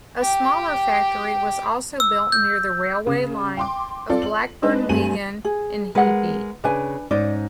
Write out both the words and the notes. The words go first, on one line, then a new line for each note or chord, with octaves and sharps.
A smaller factory was also built near the railway line of Blackburn-Wigan in Heapey.
G4 G5
E6
G6
C#3
G5 C6 D6
C4 F4 A4 D5
F#7
G#3 D4 D#4 B4
G2 A3 C4 G#5 D#7 F#7
G#4
G#3 A#4 B4 F#5
C#3 D4 B4 G#5
G#2 C#4 D#4 D5